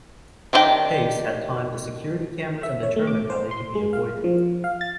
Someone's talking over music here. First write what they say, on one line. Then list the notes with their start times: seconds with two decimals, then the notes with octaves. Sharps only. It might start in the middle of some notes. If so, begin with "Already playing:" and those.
Pace had timed the security cameras and determined how they could be avoided.
0.53 D#3 D4 F4 G4 G5
2.63 E5
2.83 C#5
2.96 A3
3.07 D6
3.30 C5
3.51 C6
3.75 G#3
3.93 F5
4.24 F3
4.64 F5
4.81 A6